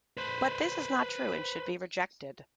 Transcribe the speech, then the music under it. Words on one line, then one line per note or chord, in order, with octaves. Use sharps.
But this is not true and should be rejected.
B4 C5